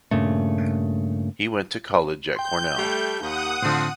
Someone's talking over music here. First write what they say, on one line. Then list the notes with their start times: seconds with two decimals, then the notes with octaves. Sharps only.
He went to college at Cornell.
0.11 G2 A#2 C#3 A3
2.36 G5 C6 G6
2.77 G3 A3
3.20 D#2 F#5 D#6
3.62 A2 D3 F3 C4